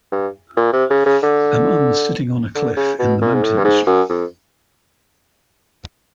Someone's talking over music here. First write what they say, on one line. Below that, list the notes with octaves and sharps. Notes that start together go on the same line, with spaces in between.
A man sitting on a cliff in the mountains.
G2
A#2
C3
C#3
C#3
D3
D3
C#3
B2
A#2
G#2
A2
G2
G#2
F#2
F2